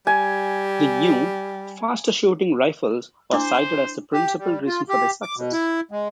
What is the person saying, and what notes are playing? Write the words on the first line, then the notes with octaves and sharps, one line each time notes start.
The new, faster-shooting rifles are cited as the principal reason for their success.
G3 G#5
D4 E4 C5 D6
G4
G3
F4
G4
D6
B2
E4
G#3